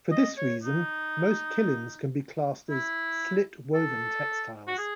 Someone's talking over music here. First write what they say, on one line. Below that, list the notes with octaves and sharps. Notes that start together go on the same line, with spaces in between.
For this reason, most kilims can be classed as "slit woven" textiles.
D#5
C#5
D#4
E4
A4
F#4
G#4